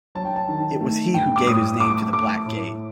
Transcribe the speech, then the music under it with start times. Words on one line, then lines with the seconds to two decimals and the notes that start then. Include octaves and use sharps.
It was he who gave his name to the Black Gate.
0.15 F#3 A5
0.25 G5
0.36 A5
0.49 D#3
0.81 A3
1.14 G2 G5
1.36 D6
1.47 A2 D#6
1.80 A3 D6
2.13 A3 D6
2.46 A2